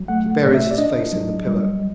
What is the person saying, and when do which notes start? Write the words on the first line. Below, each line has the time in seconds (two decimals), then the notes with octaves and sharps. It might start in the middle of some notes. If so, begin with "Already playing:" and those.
He buries his face in the pillow.
Already playing: F#3
0.08 A3 F#5
0.44 A#2
0.54 E5
0.71 D5
0.78 D4 D#5
1.12 F#3
1.47 G3